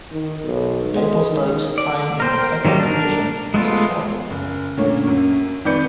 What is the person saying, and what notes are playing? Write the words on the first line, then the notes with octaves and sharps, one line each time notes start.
"Babelsberg's" time in the second division was a short one.
D#3
B1
G#3
D#3
D5
A#4 C5 G5
D#3 F#3 G3 A#3
D4 A#4
G#3 A3 B3 F4
F#1
A#2 D3 A3 A#3 C#4
F#2
F2 D#3 B4 D5 G6 C#7